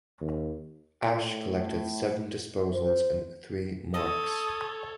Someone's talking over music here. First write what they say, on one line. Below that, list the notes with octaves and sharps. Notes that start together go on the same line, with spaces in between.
Ash collected seven disposals and three marks.
D#2
A2
C5
A4 C#5 D#6